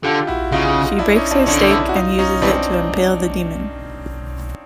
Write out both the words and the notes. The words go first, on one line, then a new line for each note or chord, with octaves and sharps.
She breaks her stake and uses it to impale the demon.
D3 F4 G4
E4 F#4
C#3 D#4 F4
D4 E4
C#4 D#4
C4 D4
D3 C#4 D#4
D4 E4
F#4
D#4 F4
C#4 D#4
E3 C4 D4